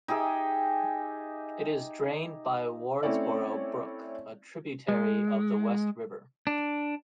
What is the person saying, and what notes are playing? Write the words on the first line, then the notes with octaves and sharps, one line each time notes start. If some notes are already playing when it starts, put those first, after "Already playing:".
It is drained by Wardsboro Brook, a tributary of the West River.
D#4 G4 G#4 E5
A3 C4 C#4 E4 C#5 D5
G#3
D4